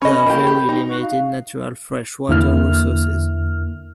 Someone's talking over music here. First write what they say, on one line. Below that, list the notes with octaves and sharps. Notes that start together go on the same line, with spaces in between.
There are very limited natural fresh water resources.
C#4 D#5 B5
A#3 E4 G4
G4
D#4
F#4
F5
E2 D3 A#3 E4 F6